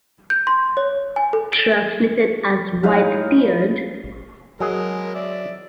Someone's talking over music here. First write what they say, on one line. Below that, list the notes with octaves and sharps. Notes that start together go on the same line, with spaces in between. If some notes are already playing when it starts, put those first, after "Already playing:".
Translated as "White Beard".
G6
C6
C#5
G#5
A4
D7
A2 D#4 B4 F5
F#3 G#3 G#4 A#4 D#5
D5 E5